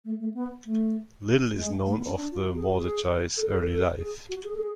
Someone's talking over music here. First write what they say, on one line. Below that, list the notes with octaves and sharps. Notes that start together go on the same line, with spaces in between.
Little is known of the Mordechai's early life.
A3
A3
B3
A3
G#3
A3
B3
C#4
D4
F4
F#4
G#4
F#4
G#4
A4
G#4
A4
A4
G#4
F#4
G#4
A4
G#4